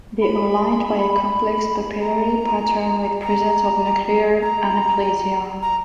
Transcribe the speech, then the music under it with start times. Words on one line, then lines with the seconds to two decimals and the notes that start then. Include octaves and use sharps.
They are lined by a complex papillary pattern with presence of nuclear anaplasia.
0.21 B5
2.01 A#5
3.23 A#5
4.42 A#5
5.62 A#5